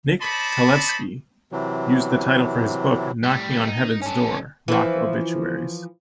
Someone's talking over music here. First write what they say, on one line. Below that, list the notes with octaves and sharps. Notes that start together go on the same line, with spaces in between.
Nick Talevski used the title for his book, Knocking On Heaven's Door: Rock Obituaries.
C5 D5 D#5 A5 B5 C#6
C3 E3 F#3
A2 G3
D#4
C#4 A4
E3 F3